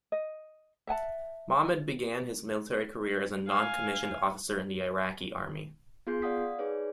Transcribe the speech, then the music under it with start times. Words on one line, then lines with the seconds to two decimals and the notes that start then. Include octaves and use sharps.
Mahmud began his military career as a non-commissioned officer in the Iraqi Army.
0.12 D#5
0.87 E5 F#5 G#5 A5
3.48 F5 G#5
6.07 B3 F4 G#4 C6 G6 C7
6.22 D5 F5 F#5 D#6 B6
6.59 D#4 G#4 B4 C#5 D5